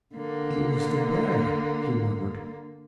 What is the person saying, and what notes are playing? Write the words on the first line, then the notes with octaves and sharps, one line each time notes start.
"It was the bear," he murmured.
D3 A#3